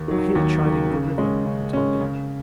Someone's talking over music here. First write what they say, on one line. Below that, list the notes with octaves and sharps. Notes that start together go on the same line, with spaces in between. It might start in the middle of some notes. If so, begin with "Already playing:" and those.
"I hear the chiding of a river," returned Dick.
Already playing: D#2
D#3 F#3
D#2
D#3 F#3
C#3
G#3 C#4
C#3
G#3 C#4
C#3